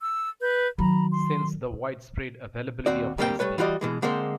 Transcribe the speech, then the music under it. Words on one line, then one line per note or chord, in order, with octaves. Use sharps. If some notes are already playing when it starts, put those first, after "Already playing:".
Since the widespread availability of high speed.
E6
B4 G6
D#3 F#3 A#5 B5
C6
D#2 C4 F#4 D5
D2 G3 A#3 C4 F#4 G5
G3 A3 B4 C#5
E3 G3 F4 F#4 D5 D#5
B2 E3 G#3
D3 G#3 A#3 C4 C5